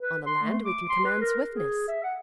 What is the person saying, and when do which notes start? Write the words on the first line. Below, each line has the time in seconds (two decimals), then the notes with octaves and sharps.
On the land we can command swiftness.
0.01 B4
0.26 C6
0.43 A3
0.65 D6
0.89 C6
1.05 B4
1.21 A#4
1.49 G#4
1.88 E5
2.03 F#5